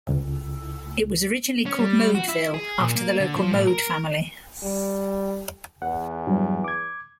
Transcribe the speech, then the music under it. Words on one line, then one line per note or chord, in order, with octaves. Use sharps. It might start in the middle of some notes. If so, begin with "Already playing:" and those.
It was originally called Modeville, after the local Mode family.
C#2
C#4
G3
F#4
E4
G#4
A#2
A#3
D3
F3
A2
A#4
G3
E2 F#5
G2 F#3 E4
D6 G#6